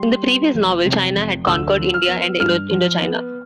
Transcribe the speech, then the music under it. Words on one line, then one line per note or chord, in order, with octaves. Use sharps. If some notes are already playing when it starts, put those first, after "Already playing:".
In the previous novel, China had conquered India and Indochina.
Already playing: G3 C6
B3
F1
C3
F1
D2 E6
F3
F6
B3
G2 F6
F3
B3